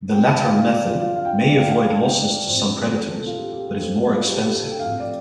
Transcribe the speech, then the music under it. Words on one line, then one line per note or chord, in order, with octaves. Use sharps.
The latter method may avoid losses to some predators, but is more expensive.
C3 G3 C4 G5
A5
F5
G5
F5
D5
F4
F4
F5
G5
F5
D5
F5
G5
F5
A5
G5
D5
A2 F3 C4 C5
C5
A4
A4
F4
G4
G4
A4
C5
A4
F4
G4
A4
G4
A4
G5
F5
A2 F3 C4 G5
D5